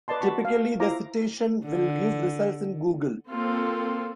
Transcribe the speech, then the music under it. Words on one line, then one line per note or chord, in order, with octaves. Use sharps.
Typically the citation will give results in google.
B4 D5 D#5 A5 C6
F#4 A5 B5 C#6
F5
E4 F4 C5 F5 A#5 D6
D3
A#3 C4 F4 A4